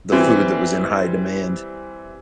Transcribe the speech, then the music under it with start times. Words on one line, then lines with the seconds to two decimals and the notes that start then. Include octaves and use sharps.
the food that was in high demand.
0.12 E3 G3 C4